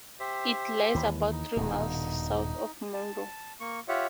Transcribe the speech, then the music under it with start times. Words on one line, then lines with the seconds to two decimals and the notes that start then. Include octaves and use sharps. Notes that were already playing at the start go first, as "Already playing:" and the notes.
It lies about three miles south of Monroe.
0.20 G4 C5 E5
0.95 D#2 E3
1.32 D#4
1.57 D#1 G2 B2
2.94 A5
3.60 A#3 C#6
3.88 F4 G4 C#5 E5 F#5